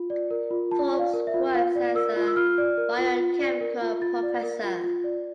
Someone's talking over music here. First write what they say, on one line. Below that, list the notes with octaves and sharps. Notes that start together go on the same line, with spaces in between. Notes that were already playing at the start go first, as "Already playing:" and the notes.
Forbes works as a bio-chemical professor.
Already playing: F4
D5
A#4
F4
F4 A5
D5
F5
A#4
E5
F4
F4 F5
D5
A#4 E6
F4
E6
F4 F6
D5
A#4
F4
F4
D5
A#4
F4
F4 A6
D5
A#4
F4
F4
D5